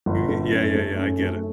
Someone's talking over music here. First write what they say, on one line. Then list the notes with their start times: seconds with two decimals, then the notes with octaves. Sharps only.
y y yeah, yeah, yeah, I get it.
0.06 G1
0.28 A3
0.51 F#2
0.75 A3
0.98 F#2
1.20 A3